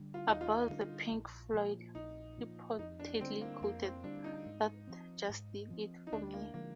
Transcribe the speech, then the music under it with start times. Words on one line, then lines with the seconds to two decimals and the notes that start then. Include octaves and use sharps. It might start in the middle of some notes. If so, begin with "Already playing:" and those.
About the Pink Floyd, he reportedly quoted: That just did it for me.
Already playing: D3 G3 D4
0.14 F4
0.28 D#2 D#4
0.41 F4
0.70 D3 G3 D4
1.12 A#1
1.53 A#2 F3
1.95 A#1 D#4
2.38 A#2 F3
2.79 F2 D#4
2.99 D4
3.20 D3 G3 C4
3.41 A#3
3.62 F2 A#3
3.83 C4
4.04 D3 G3 D4
4.24 D#4
4.46 G#2
4.87 F3 C4
5.29 G#2
5.70 F3 C4
6.07 D#4
6.12 D2 D4
6.34 A#3
6.54 D3 F3 G#3 A#3